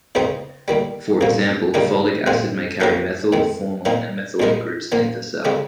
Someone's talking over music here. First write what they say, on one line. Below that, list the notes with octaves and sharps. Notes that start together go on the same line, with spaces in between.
For example, folic acid may carry methyl, formyl, and methylene groups in the cell.
C#2 C#3 F3 C4 D#4
D#2 D#3 G3
C2 A#2 F3 A#3
D#2 C#3 G3 A#3 D#4
A#2 F3 G#3 C4
F3 A#3 C#4 G4 A#4
F2 D#3 G#3
A#2 F3 C4 D#4
C2 A#2 G#3 D#4 A#4
A#2 F3 A#3
C#3 F3 G#3 C4